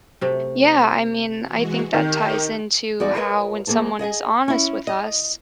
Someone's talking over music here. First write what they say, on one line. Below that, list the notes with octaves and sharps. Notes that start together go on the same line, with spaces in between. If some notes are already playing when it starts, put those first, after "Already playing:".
Yeah, I mean I think that ties into how when someone is honest with us,
C3 A3
E3 G#3 F#4
D#3 D#4 G4
E2 G3 D#4 F#4 G#4 D5
F4 G#4 A#4 B4 C#5 D#5
F2 A#3 G#4 C5 A5
G#4 D#5 F#5 G#5
C#4 E4
D#5